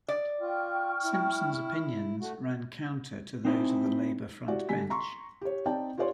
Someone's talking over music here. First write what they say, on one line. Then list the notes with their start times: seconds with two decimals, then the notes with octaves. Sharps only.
Simpson's opinions ran counter to those of the Labour frontbench.
0.08 D5
0.41 F4 G5 C#6 F6
1.04 E4
2.20 A3 F#4
3.45 C4 D#4 E4 C5
4.48 E4 F#4 G4 D5
4.69 D3 G3 D4 G#5 B6
4.90 A#5 C6 C#6
5.41 G4 C#5
5.66 C4 D#4 D5 G5 A5
5.97 F4 G4 B4 C#5 D5 C6